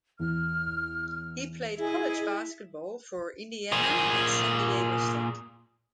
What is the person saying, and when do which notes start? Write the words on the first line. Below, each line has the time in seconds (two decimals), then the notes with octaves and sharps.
He played college basketball for Indiana and San Diego State.
0.19 E2 F6
1.77 E4 G#4 D#5
3.72 A#2 G#4